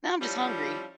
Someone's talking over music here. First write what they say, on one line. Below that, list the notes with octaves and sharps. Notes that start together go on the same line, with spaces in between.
Now I'm just hungry.
F3 G3 C#4 D4 E4 F4